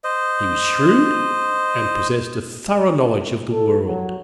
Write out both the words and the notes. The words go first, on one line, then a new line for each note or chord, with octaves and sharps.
He was shrewd, and possessed a thorough knowledge of the world.
C5 D#5
A4
F#3